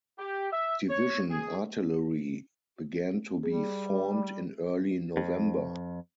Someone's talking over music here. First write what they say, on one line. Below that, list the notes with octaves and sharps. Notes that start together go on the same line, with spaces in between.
Division artillery began to be formed in early November.
G4
E5
C#5
G#4
G3 G#4
F2